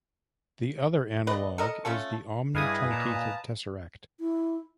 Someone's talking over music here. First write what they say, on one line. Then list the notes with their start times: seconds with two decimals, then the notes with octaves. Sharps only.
The other analogue is the omnitruncated tesseract.
1.27 B4 D5 D#5
1.58 A4 A#4 D#5
1.85 A3 C#4 F4 A4
2.55 G2 E4 G#4 B4 D#5 F5 G#5 D#6
2.91 A#2 A5 A#5
4.19 E4